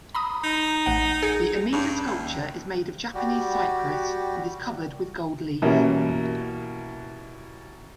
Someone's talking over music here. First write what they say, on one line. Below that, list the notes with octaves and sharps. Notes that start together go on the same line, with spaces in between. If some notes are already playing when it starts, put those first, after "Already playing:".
The Amida sculpture is made of Japanese cypress and is covered with gold leaf.
A#5 B5 D#6
D#4
A1 F#5
G#4 C#7
G2 C#4
D#2
G3 F#4 G4
B2 E3 G3 A#3 C#4